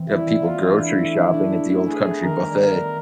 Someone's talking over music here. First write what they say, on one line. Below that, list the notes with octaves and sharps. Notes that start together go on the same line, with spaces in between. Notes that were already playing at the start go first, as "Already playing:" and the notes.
You have people grocery shopping at the Old Country Buffet.
Already playing: E3 C4
G3 E4
E3
E3 F4
D4
A3 E4
A3
D4
D4
A3
A3
B3 G#4
B3
D#3 A#4
G3
B3 A#4